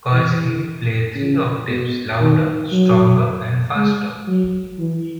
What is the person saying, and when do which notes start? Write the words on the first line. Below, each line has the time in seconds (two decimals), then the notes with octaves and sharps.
Cause he'd play three octaves, louder, stronger and faster.
0.13 E3
1.15 C#3
1.68 B2
2.20 D#3
2.72 F#3
3.75 G#3
4.27 F#3
4.79 E3